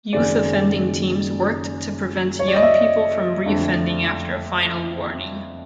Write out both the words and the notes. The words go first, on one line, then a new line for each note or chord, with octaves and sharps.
Youth Offending Teams worked to prevent young people from reoffending after a Final Warning.
F#1 F#2 D#3 G#3 C4 D5
C#5
D5
D#5
E5
F2 D3 F3 A3 D4